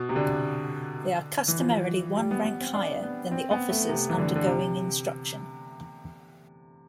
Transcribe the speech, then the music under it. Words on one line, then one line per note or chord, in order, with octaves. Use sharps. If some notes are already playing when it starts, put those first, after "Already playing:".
They are customarily one rank higher than the officers undergoing instruction.
Already playing: B2
C3
D3
E3
F3
G3
B3
B3
C4
D4
B3
C4
B3
A3
C3
E3
D3
D3
C3